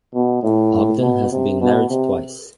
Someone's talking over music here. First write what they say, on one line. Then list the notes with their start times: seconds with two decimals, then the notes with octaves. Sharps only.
Ogden has been married twice.
0.14 B2
0.43 A2
1.02 B2
1.32 C3
1.61 B2
1.90 C3